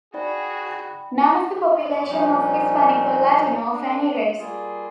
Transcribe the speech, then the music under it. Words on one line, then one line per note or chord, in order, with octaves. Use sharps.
None of the population was Hispanic or Latino of any race.
D#4 F#4 G#4 D5 G5 B5
A#2 F3 G3 C#4 D#4
A#3 D4
G3 A#3 F4 G#4